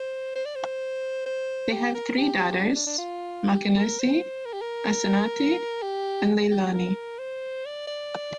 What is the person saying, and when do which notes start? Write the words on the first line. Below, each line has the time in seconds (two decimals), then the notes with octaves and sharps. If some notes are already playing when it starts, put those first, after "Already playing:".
They have three daughters - Makenesi, Asinate and Leilani.
Already playing: C5
0.35 C5
0.45 D5
0.55 C5
1.26 C5
1.72 G4
1.94 A#4
2.17 G4
2.63 D4
2.75 D4
2.86 D4
2.98 F4
3.55 G4
3.78 A#4
4.00 C5
4.46 A#4
4.53 G4
4.61 A#4
5.82 G4
6.51 G4
6.74 A#4
7.19 C5
7.65 D5
7.87 D5